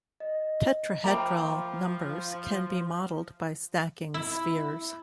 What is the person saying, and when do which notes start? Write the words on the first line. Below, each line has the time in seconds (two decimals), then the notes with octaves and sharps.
Tetrahedral numbers can be modelled by stacking spheres.
0.20 D#5
1.04 F3 C5 E5 G5 A#5 B5 D6
4.14 E4